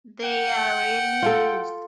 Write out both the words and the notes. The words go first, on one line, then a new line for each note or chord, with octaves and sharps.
They are rarely used.
F#5 G5
F4 A4